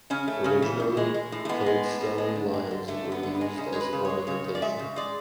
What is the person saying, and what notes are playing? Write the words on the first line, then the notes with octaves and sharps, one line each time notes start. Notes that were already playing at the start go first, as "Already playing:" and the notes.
Originally, Coade-stone lions were used as ornamentation.
C#3 C#4
A3
C#3 C#4
E3
A2
G#3
G#3
A2
A3
G#3 B3
G#3
A2
A2
G#3
D3
G#3
D3
D3 A3
D3
B3
D3
B3
G#3
C#3 C#4
G#3 C#5
B4
C#3
G#3 C#5
C#3 C#5
C#3
D5
G#3 E5
C#3
G#3 D5